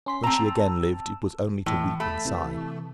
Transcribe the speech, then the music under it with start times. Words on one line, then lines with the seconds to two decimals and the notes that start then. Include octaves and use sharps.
When she again lived, it was only to weep and sigh.
0.06 C#4 C6 B6
0.23 C4 A5 A#5 E6
1.66 A2 E3
2.00 A3 B5
2.25 C3 E3